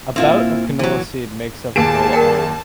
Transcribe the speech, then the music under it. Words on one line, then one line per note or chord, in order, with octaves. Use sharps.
About of canola seed makes of canola oil.
A#2 A#3 C4 E4 F4
E3 F#3
D#2 G#4 A5 D7
A#4 F#5 G5